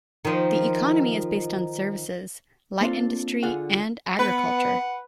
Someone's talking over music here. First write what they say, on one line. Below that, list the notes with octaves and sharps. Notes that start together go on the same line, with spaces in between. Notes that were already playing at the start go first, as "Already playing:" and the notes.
The economy is based on services, light industry and agriculture.
D#3 F3
A#3 C4 D4 F4 A4
D3 F4 G#4 F#5
B3 B4 F#5